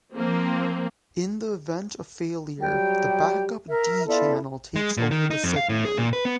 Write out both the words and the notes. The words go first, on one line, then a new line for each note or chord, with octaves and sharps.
In the event of failure the backup D channel takes over the signaling.
F3 A#3 C4
F#3 G3 G4 G5
A#4 E5
B3 E4 F4 A4 D5 E5
G#3
A#2
D#3
D#4
F2
F5
A2
G#4
A#2
B4
B3